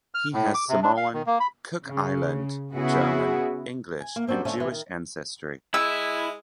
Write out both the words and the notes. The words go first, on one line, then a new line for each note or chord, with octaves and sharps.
He has Samoan, Cook Island, German, English and Jewish ancestry.
F6
A2
D6
C3
D4
F5
D#3
A#3
B5
C#3
C#3 B3 E4 F#4 G#4
G#5
A#3
A#3 C4 D4 F#4 G4
D3 F3 A3 C#4
F2 E3 G#3
D#3
G#3 E4 E6